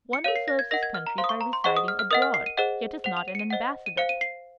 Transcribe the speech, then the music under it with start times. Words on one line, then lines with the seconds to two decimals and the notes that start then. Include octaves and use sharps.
One who serves his country by residing abroad, yet is not an ambassador.
0.13 C#7
0.24 A#4 C#5 F5 D#7
0.36 C7
0.48 A#6
0.59 G#6
0.71 A#4 D#5 F#5 A#6
0.83 G#6
0.94 F6
1.07 A#5
1.18 C5 F5 C6
1.24 D#6
1.29 C#6
1.41 A#5
1.53 C6
1.64 G#4 C5 D#5 F#5 C#6
1.76 D#6
1.88 F6
1.99 F6
2.11 A#4 D#5 F#5 D#6
2.22 F6
2.34 C7
2.46 D#7
2.57 G#4 C5 D#5 F#5
3.04 C5 F#5 F7
3.17 F7
3.28 D#7
3.35 C#7
3.39 D#7
3.50 C5 D#5 F#5
3.86 D#7
3.97 C5 F5 C#7
4.09 D#7
4.21 C7